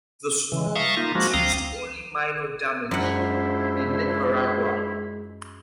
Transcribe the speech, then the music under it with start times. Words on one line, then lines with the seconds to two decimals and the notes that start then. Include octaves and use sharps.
The storm produced only minor damage in Nicaragua.
0.52 C#3 E3
0.75 E5 F5 A5 A#5 C#6 D#6
0.97 A#3 D#4 F4
1.15 F3 G#3 A#3 F#4
1.34 D2 C4 F5 A#5 D#6
2.91 F#2 G#3 D4 E4 F4 C5 F#5